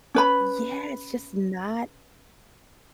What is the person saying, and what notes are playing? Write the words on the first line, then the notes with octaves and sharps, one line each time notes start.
Yeah, it's just not
C#4 B4 B5